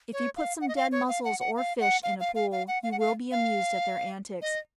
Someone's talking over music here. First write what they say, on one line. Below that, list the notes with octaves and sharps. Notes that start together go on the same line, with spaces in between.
If you put some dead mussels or fish in a pool, you will be amused at their antics.
C#5
F5
F#5
D#5
F5
C#5
F5
F#5
F#5
F5
F#5
F5
F5
F5
F5
F#5
F5
F#5
F5
F5
D#5